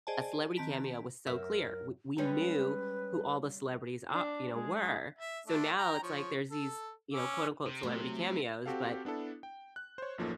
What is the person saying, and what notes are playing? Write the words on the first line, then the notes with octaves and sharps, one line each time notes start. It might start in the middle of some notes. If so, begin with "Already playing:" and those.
a celebrity cameo was so clear, we we knew who all the celebrities ar you know, were. So now it's like there's these, you know, quote unquote celebrity cameos, but,
G#4 C5 D5 D#5 G#5 A5
D#3 C4 A5 A#5 B6 D7
F#2 A#4 E5
G3 G#3 C#4 B4
D4
G#3 G#4
E5
A3 D4
G5 A#5
F3 C#5
A4
C#4 D6 E6
C3
F#3 A3
C4 F#4 G4 A4 F5
B3 D4 E4 A4
G5
F#6
C5 C#5
A1 F#2 F3 A#3 D#4 A4